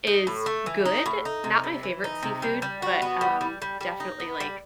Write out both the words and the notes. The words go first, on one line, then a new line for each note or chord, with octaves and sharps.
is good, not my favorite seafood but, um, definitely like
D#4
A2
A3
E3
D#4
A2
D#4
C3
G3
E3
D#4
C3
G3
G3
F#4
B3
G3
G3
G3
G3
D#4
B3
G3